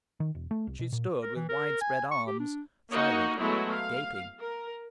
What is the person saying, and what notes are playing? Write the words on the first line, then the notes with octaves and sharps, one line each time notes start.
She stood with wide-spread arms, silent, gaping.
D#3
E1
A3
C2
B2
A#2
A#4
E3
A#4
G#5
C#6
G4
D4
A#3 D#4 F#4 D#5
F#3 G#3 A3 B3 E4 F#4
F5
A#4